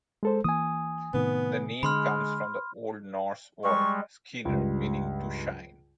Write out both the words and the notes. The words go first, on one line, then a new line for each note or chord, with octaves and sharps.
The name comes from the Old Norse word "skinr", meaning "to shine".
G#3 A4 C5
E3 A#3 G#5 D#6
A2 C3 D#3 B3
D3 G#3 B5 C6 F6
G3 G#3 C#6
C#2 G2